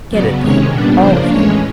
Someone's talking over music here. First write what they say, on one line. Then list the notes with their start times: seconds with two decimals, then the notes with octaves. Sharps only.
'Get it, then--all of you.
0.10 C#3 F#3 B3 D5
0.40 C3 D#3 G#3 C#4 C#5
0.69 A#2 G3 B3 D4
0.99 C#3 F3 A#3 D4 C5
1.29 A2 E3 G#3 C#4 C#5